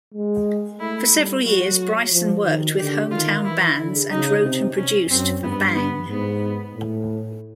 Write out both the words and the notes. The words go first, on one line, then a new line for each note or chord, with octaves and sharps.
For several years, Bryson worked with hometown bands and wrote and produced for Bang.
G#3
A3 E4
G3
F#3 F#4
F3
D#3
D3 G4
D#3 F4
E3 E4
D3
C#3 D#4
C3
C#4
F#2 C4
G2 B3
B3
G#2 B3
A2